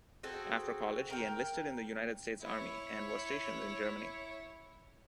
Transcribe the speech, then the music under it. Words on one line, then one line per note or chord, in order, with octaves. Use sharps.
After college, he enlisted in the United States Army, and was stationed in Germany.
C4 F#4 G#4 A4
A#4 G5
E4 C#5